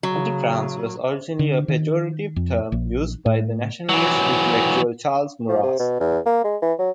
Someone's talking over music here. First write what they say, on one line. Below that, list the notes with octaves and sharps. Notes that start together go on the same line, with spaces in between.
"Anti-France" was originally a pejorative term used by the nationalist intellectual Charles Maurras.
C#3 F#3
D3
D#3
F2
A#1
A2
E3 F#3
F3
C3
B2
E2
A#3
G#3
E3
F#3